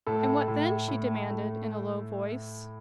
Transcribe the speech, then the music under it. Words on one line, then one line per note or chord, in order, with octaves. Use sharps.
"And what then?" she demanded, in a low voice.
A2 A4
A2
A2
A3